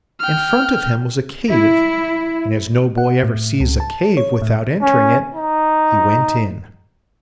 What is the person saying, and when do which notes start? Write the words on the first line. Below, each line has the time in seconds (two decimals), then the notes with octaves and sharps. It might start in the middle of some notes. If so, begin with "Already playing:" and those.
In front of him was a cave, and, as no boy ever sees a cave without entering it, he went in.
0.20 G5 F6
1.50 E4
2.98 F#5
3.23 A2
3.60 C#2
3.80 A5
4.17 C#5
4.42 A2
4.82 C#4
5.35 D#4